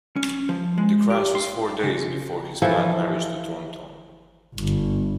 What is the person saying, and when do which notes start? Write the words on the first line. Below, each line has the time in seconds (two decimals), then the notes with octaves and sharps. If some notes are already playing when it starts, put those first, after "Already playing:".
The crash was four days before his planned marriage to Thornton.
0.16 C#4
0.49 F3
0.78 G#3
1.10 G4
1.35 C6
1.84 C#3
2.62 E3 F3 A4 B4
4.55 G1